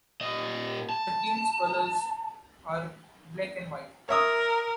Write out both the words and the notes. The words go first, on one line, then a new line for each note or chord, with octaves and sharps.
The team's colors are black and white.
A#2 D#5
A5
A#4 C#5 E5 D#6